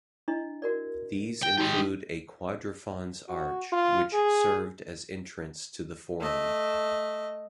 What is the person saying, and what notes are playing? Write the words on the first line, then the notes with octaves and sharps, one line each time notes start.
These include a quadrifrons arch, which served as entrance to the forum.
D4 E4 D#5
F#4 A#4 D5
G5
G#3 D#4 F#4 G4 G5
F#4
F4
G#4
A3 D#5